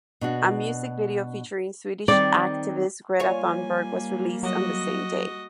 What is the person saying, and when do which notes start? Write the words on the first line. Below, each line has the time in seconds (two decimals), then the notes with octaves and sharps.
A music video featuring Swedish activist Greta Thunberg was released on the same day.
0.21 B2 D4 F#4
2.08 D#3 G3 C4 D5
3.20 G3 A#3 F4 C#5 G#5
4.43 F#3 F#4 D#5